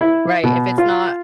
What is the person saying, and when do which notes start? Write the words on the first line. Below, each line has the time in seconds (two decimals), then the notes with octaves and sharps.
Right, if it's not
0.01 E4
0.44 B2
0.78 F4